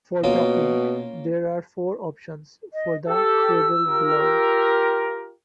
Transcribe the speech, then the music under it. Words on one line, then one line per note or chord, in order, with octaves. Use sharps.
For docking, there are four options for the "cradle glow".
B2 A#3 C#4 F4
D#5
G4 A4 E6
F4 G4 A#4